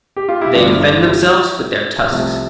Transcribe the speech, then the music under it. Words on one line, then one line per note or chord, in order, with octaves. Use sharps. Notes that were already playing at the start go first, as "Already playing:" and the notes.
They defend themselves with their tusks.
G4
F4
E4 G4
G1 G2 F3 A3 D4 F4
E4
D4 F4
E4 G4
C2 C3 F3 A3